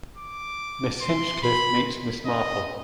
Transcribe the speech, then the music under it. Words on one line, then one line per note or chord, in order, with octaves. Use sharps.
Miss Hinchcliffe meets Miss Marple.
D6
C6
B5
D#5